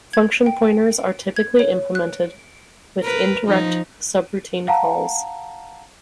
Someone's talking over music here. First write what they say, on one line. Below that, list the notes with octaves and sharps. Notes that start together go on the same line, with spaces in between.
Function Pointers are typically implemented with indirect subroutine calls.
G#6
G5
G#6
C#5
F#6
A#4 B4
F3 D#4
F5 F#5 A5 A#5